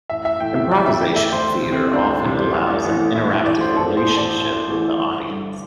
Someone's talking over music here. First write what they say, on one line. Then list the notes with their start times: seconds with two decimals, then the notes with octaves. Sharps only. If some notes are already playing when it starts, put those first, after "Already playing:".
Improvisational theatre often allows an interactive relationship with the audience.
0.10 A1 E5
0.25 E5
0.40 A2 E3 G5
0.56 E5
0.71 A1 D5
0.86 E5
1.01 A2 E3 G5
1.16 E5
1.32 D2 C5
1.62 C3 E3
1.72 C4
1.93 D2 D4
2.24 C3 E3
2.54 A1
2.85 A2 E3
3.15 A1 E4
3.31 E4
3.46 A2 E3 D5
3.61 C5
3.76 A1 A4
3.97 C5
4.07 A2 E3
4.17 D5
4.37 A1
4.68 A2 E3
4.99 G1
5.29 G2 D3